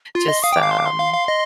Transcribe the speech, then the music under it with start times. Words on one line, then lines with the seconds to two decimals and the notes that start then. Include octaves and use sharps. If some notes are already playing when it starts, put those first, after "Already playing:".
just, um,
0.15 F4 C6
0.28 D#5
0.43 F5 D#6
0.53 G5
0.57 D6
0.62 F5
0.71 C6
0.78 D6
0.86 C6
0.99 F5
1.14 F5
1.28 D#5